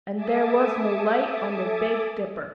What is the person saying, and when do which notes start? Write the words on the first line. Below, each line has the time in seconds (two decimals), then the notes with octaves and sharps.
And there was no light on the Big Dipper!
0.13 A4 E5 G#5 A5 D6 D#6